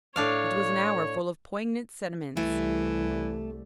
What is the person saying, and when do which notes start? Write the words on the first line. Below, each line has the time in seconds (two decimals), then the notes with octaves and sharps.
It was an hour full of poignant sentiments.
0.16 A2 D4 C#5 F5
2.37 C2 E3 G3 A3